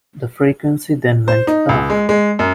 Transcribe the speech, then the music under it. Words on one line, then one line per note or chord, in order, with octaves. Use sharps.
The frequency then went dark.
C5
D#4
C#2
G#3
G#3
F#2